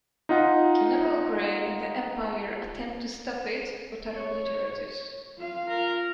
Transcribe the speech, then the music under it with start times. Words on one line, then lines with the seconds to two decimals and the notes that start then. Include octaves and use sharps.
General Gray and the empire attempt to stop it, but are obliterated.
0.29 D#4 F4 D#5 F#5
4.15 C#5
5.37 F4 F5
5.69 A#4